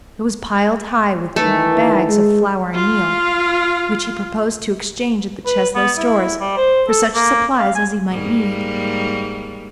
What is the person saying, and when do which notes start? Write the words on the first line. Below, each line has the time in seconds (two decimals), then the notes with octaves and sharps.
It was piled high with bags of flour and meal, which he proposed to exchange at the Cheslow stores for such supplies as he might need.
1.36 D#3 E3 A3
2.09 G#3
2.73 F4 F5
5.46 B4
5.75 B3
5.98 E4
6.40 G3
6.57 C5
6.89 A4
7.15 A#3
7.59 F5
7.75 G#5
8.12 G#2 G3 A#3